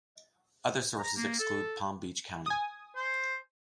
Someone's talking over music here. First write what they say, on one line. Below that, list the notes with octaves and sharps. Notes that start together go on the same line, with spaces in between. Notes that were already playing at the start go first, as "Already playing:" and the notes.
Other sources exclude Palm Beach County.
A#5
A#3
A4
G#5 D#6
C5